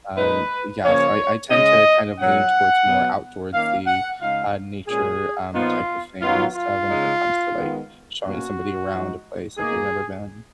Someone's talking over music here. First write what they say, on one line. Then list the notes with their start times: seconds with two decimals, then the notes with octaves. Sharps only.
Um, yeah, so I I tend to kind of lean towards more outdoorsy, uh, nature, um, type of things, uh, whenever it comes to, like, showing somebody around a place that they've never been.
0.17 A#2 G#3 D#4 B4
0.84 C#3 F3 A#3 C#4 C#5
1.51 C#3 G#3 C#4 D#5
2.18 A#2 F#3 C#4 F#5
2.86 B2 F#3 B3
3.53 D#3 A#3 C#4 F5
3.86 F#5
4.21 C#3 G#3 D#4 F5
4.88 A#2 G#3 C#4 G#4
5.54 A#2 F3 B3 D#4 F4
6.21 D#3 F#3 B3 D#4 F4
6.55 F4
6.89 C#3 G#3 D#4
7.56 D#3 G#3 B3
8.23 B2 A#3 C#4 F#4
8.90 F3 G#3 D#4
9.58 B2 A#3 D#4 G#4